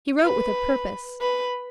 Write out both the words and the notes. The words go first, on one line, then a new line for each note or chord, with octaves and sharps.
He wrote with a purpose.
B4
B4